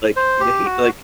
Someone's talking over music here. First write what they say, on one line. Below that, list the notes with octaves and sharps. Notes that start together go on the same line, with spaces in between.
like, you hate like
C5
G4
F#4